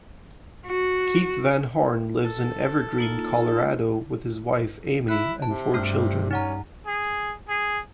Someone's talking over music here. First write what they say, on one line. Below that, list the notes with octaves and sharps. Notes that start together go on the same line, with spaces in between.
Keith Van Horn lives in Evergreen, Colorado, with his wife, Amy, and four children.
F#4
A4
A#3 D#4 F4
E4 F#6
C3 A5
G2 A3 D4 F6
C#4 D#4 F#5 A#5
G#4
G#4